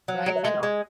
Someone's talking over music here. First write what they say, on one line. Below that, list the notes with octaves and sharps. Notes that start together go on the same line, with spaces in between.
Right, and hon
F#3
F#3
G#3
G#3